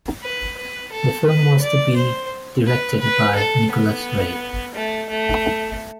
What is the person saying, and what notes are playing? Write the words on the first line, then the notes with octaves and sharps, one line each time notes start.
The film was to be directed by Nicholas Ray.
B4
B4
A4
B4
D5
C5
B4
B4
A4
B3
A3
A3